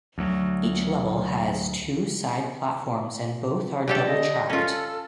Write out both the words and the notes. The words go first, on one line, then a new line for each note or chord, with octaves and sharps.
Each level has two side platforms and both are double tracked.
D2 F#3
D3 G4 A4 C#5
D#5
C#4 F4 A4